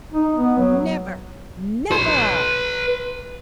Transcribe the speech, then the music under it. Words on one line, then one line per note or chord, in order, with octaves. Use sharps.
Never, NEVER!'
D#4
B3
F#3
B4 C6